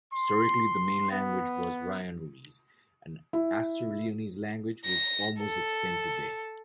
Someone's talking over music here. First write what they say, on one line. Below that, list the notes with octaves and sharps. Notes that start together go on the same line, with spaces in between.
Historically the main language was Rionorese, an Astur-Leonese language, which almost extinct today.
C6
B3
E4
A#6
A4